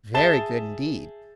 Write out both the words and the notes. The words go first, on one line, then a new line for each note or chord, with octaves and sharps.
"Very good indeed."
G#4 E5 A5 A6 E7 G7